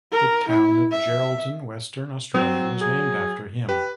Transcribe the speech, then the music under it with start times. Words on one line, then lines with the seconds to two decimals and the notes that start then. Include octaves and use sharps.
The town of Geraldton, Western Australia was named after him.
0.12 A#4
0.49 E4
0.92 E5
2.34 F#3 C4
2.81 G#4
3.69 G4 B4